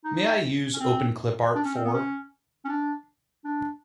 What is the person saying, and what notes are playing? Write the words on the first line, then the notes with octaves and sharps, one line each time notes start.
May I Use Openclipart for?
D#4
C#4
C4
D4
C#4
C4
B3
C#4
C#4
D4
D4